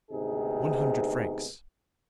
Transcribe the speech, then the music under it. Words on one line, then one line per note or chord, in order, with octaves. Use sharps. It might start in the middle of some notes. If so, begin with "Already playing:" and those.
"One hundred francs!"
G#1 D2 C3 B3 D#4 G#4